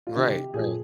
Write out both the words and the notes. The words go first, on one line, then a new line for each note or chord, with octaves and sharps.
Right. Right.
F4
C3 D#3 G4
A#2 F3 G#4